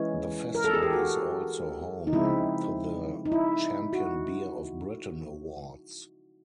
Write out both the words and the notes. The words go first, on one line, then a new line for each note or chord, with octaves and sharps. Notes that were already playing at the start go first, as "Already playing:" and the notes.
The festival is also home to the Champion Beer of Britain awards.
Already playing: E3 G#3 C#4
A#4
A4
G#4
G4
F#4
D#4
C#3 F3 G#3 C4 E4
D#4
E4
F#4